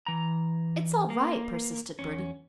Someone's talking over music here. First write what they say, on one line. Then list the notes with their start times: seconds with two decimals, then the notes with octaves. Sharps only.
"It's all right," persisted Bertie.
0.06 E3 A#5
1.10 A#3
1.99 E2 C#4